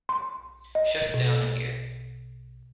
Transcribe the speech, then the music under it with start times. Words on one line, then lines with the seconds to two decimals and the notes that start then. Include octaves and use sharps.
Shift down a gear.
0.09 C6
0.75 D#5
1.14 B2